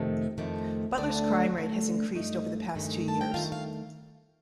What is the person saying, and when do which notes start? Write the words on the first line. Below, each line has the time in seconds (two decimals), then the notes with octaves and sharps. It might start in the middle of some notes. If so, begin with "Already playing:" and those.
Butler's crime rate has increased over the past two years.
Already playing: F2 C3 D#3 A3
0.38 F2 C3 D#3 A3
0.97 D2 D3 A3 D4 D5
1.56 D2 D3 A3
2.15 G2 D#3 A3 D#4 D#5
2.75 G2 D#3 A3
3.08 A5
3.21 G5
3.34 F2 D#3 A3 F4 F5
3.52 F5